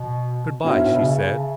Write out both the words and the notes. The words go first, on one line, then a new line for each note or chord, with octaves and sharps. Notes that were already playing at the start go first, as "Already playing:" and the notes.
"Good-bye," she said.
Already playing: B2
A2 B3 D4 F#4 B4 E5
G#2
A2
B2
C#3
E5 A5